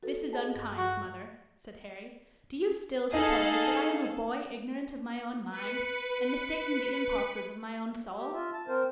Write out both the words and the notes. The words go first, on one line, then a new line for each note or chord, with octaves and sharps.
'This is unkind, mother,' said Harry. 'Do you still suppose that I am a boy ignorant of my own mind, and mistaking the impulses of my own soul?'
F#4 A4 B4
G#4 D#5 A5
G2
F#4
D#4 G#4 A4 F5
B4 C#7
G4
F4 E5
A5
C4 A#4 C5